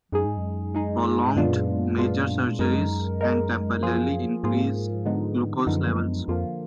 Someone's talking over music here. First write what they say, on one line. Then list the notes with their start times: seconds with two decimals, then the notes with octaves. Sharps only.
Prolonged, major surgeries can temporarily increase glucose levels.
0.12 F#2 G#3 D#4 G#4
0.25 G#2
0.37 F#2
0.74 G#3 D#4 G#4
1.27 G#2
1.36 F#2 A#2 G#3 B3 D4 F4
1.98 A#2 G#3 B3 D4 F4
2.59 F#2 G#3 D#4 A#4
3.21 G#3 D#4 A#4
3.83 F3 A#3 F4 G#4
4.44 G#2 F3 A#3 F4 G#4
5.05 D3 F3 G#3 B3 D#4
5.67 F#2 D3 F3 G#3 B3 D#4
6.28 F2 D3 F3 A#3 F4